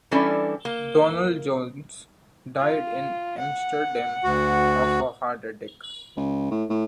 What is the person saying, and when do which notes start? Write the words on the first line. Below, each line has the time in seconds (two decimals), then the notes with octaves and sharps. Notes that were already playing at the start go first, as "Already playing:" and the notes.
Donald Jones died in Amsterdam of a heart attack.
0.11 E3 G3 C#4 D4 A4 E5
0.65 A#3
2.58 F4
3.38 F#5
4.24 D2 F#4
6.17 C#2
6.51 A2
6.70 A2